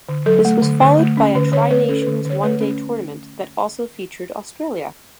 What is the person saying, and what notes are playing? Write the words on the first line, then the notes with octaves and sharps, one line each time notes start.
This was followed by a tri-nations one-day tournament that also featured Australia.
D3
F#3 A4
A3
D3
D3
A3
C#4
D3 B4
D3 C#5
A3 B4
C#4 A4
B4
D3
D3 C#5
A3 B4
C#4